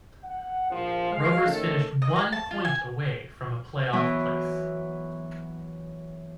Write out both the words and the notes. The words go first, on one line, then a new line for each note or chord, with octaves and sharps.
Rovers finished one point away from a play-off place.
F#5
A#1 F3
G#3 F5
D#3 A3 C#4 A4
D#5
A#5
A5
F4
G#5
E3 F#3 B3 E4